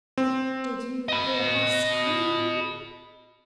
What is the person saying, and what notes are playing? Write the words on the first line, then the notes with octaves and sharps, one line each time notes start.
Did you hear her scream?
C4
D#5 B5